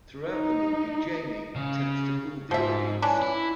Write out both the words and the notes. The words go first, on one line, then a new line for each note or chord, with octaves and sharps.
Throughout the movie, Jamie attempts to fool the audience.
D#4
C#3
G#2 F3 E5
E3 C#4 D4
E4